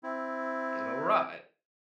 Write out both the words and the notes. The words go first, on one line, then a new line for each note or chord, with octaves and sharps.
It'll rot
C4 E4